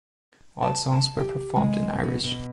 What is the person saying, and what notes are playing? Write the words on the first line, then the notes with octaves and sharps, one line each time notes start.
All songs were performed in Irish.
A5
A5
G4
G#3
B2
B2